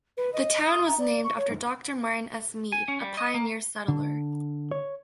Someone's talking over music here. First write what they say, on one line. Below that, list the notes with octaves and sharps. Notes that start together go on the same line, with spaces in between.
The town was named after Doctor Martin S. Mead, a pioneer settler.
B4
D#5
D#6
A#5
D5
C#6
C#5
G#5
C#4
G3
D#5
A#3
D3
C#5